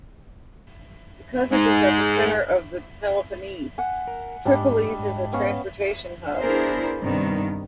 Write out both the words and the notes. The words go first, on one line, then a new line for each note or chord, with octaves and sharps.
Because it is at the centre of the Peloponnese, Tripolis is a transportation hub.
G#2
F#5 G#5
A#4
G#2 G3 D4 D#5
G#2
B3 C#4 F5
B3 D4 E4 G#4 A#4 C5
G2 C3 D#3 B3